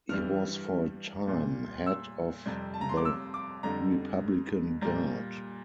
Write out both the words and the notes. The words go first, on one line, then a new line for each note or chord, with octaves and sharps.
He was for a time head of the Republican Guard.
G2 E3 G3 F6
A#2 G3
E6
F2 C3 G3
A5
A#5
C6
D6
E6
D6
F2 D3 G3 A#5
A#2 G3 A#5